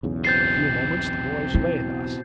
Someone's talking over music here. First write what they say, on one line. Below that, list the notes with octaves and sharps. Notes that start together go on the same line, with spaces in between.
For a few moments the boys lay thus.
B1 E2 C#3
B2 C4 G6 A6 C7
E4